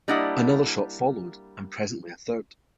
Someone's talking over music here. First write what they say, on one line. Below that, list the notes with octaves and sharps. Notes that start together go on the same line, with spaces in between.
Another shot followed and presently a third.
G3 A#3 D4 E4 D#5 F#5